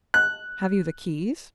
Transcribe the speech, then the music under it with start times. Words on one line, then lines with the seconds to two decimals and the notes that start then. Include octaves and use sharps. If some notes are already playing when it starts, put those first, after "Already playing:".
"Have you the keys?"
0.14 F#6